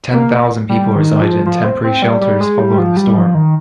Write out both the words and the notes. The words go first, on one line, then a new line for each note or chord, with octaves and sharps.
Ten thousand people resided in temporary shelters following the storm.
A#3
G3
D#3
F3
F3
C4
C4
G3
G3
G#3
G3
F3
G3
F3
D#3